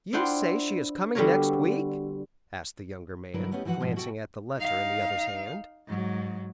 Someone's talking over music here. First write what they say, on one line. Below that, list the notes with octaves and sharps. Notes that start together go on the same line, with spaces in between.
"You say she is coming next week?" asked the younger man, glancing at the letter in the other's hand.
D4 E4 F4 C5 F#5 G5
D3 G3 B3 F#4 A#4 C#5
G2 D3 F#3 E4 A#4 B4
A3 B3 C#4 E4 G4 D#5
E3 F3 F#4 B4 F#5
G#2 B2 E3 F3 B3 D#4
B2 F#4 A4 E5 G5 A5
D#4 F5
G#2 F#3